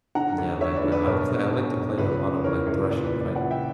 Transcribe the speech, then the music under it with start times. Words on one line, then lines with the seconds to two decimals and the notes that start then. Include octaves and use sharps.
Yeah like, uh, I'll play I like to play a lot of, like, thrush and pike.
0.15 D3 F#5 A#5
0.38 D2
0.61 D2 C#5 E5
0.76 B4 D5
0.84 D3
0.92 B4 D5
1.07 B1 A#4 C#5
1.30 B2
1.53 B2
1.76 B1
1.98 C#2 B4
2.21 C#3
2.44 E3 A#4 C#5
2.67 C#2
2.90 A#2 B4 D5
3.05 B4 D5
3.13 A#2
3.20 B4 D5
3.35 A#1 D5 F#5
3.51 E5 G5